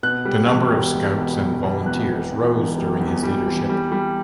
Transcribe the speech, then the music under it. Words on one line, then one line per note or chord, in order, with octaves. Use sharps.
The number of Scouts and volunteers rose during his leadership.
B2 F#6
G3
E1
G3
E1
B2
E2
B2
E2 F#6
E1
E2
E1
G3
E2
G3
E2
G3
G3